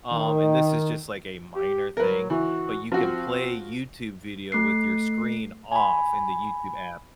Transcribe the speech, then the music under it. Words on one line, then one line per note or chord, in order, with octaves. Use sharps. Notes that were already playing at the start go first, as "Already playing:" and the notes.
um, and this is just, like, a minor thing, but you can play YouTube video with your screen off in the YouTube app.
D#3
G4
F#3 A#4 B4
E3 F#4
F3 C4 F#4
A3 F#6 C7
G#5 B5